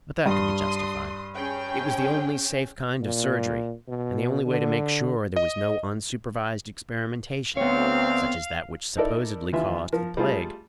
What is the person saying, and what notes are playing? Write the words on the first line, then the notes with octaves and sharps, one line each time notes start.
But that could be justified; it was the only safe kind of surgery and the only way to make sure there was no unsupervised experimentation, such as that which supposedly caused the plague.
G2 C6 D#6
C#4 G#4 G5
A#2
B2
D3
D#5
D2 B3 C4 C#5 F5
D#4 E4 A4 A#4 D5
D#2 E3 F4 E5
F3 A#4
G3 A3 F4 G#4